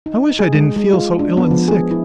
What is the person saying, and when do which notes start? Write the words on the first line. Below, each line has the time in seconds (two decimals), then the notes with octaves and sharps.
I wish I didn't feel so ill and sick!
0.06 D#4
0.39 G#4
0.54 G#3
0.76 G#3
0.93 F4
1.19 D4
1.37 B3
1.51 F3
1.68 G#4
1.91 E4